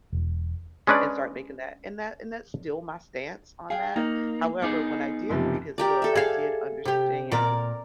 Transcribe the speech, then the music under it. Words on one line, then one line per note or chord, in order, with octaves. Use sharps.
and start making that And that and that's still my stance on that. However, when I did read his book, I did understand,
E1
G#3 C#4 D4 B4 D5
G#4 F5 G5
A#3 D#4
B3 D#4 G#4 D6
F#1 C3 F3
G4 A#4 D5
A4 E5
G#4 A4 F5
C3 G4
A#2 A#4 D5 D6